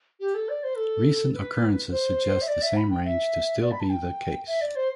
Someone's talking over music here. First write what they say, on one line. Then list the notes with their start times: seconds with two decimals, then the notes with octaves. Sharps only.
Recent occurrences suggest the same range to still be the case.
0.20 G4
0.34 A4
0.49 D5
0.63 C5
0.77 A4
1.34 B4
1.91 C5
2.42 E5
2.48 D5
2.62 E5
2.76 B5
2.90 G5
3.05 E5
3.62 D5
3.71 B5
3.80 A5
3.90 G5
4.47 E5
4.61 D5
4.75 C5